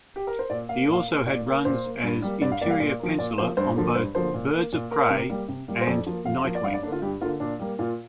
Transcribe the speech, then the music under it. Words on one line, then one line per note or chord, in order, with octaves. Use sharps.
He also had runs as interior penciler on both "Birds of Prey" and "Nightwing".
G4
A#4
C5
A#2 D5
A#3 F5
A#2 F5
A#3
A#2 D5
A#3
A#2 C5
A#3
G2
G3 A#3
G2 D5
F5
G3 A#3 D5
F5
A#2 D5
F3 A#3
A#2 D5
F3 A#3 C5
G2 C5
D3 F3 A#3
G2 C5
D3 F3 A#3 C5
A#2
A#3
A#2
A#3 A#4
C3
G3 A#3
C3
G3 A#3
C5
F2 D5
F3 A#3
F2 F5
F3 A#3
D5
G2 F5
D5
D3 A#3 D4
F4
G2 G4
D3 A#3 F4
A#2 D4
G3 A#3
A#2 F4